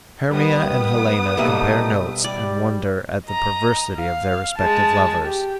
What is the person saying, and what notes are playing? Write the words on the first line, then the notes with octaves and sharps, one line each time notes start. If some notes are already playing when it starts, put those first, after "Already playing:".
Hermia and Helena compare notes and wonder at the perversity of their respective lovers.
D#3 G3 B3 B4 D#6
B2 G3 A3 A#3 D#4 A4 E5 D#7
G3 D5
D#5 A#5
F5
G#3 A5
G4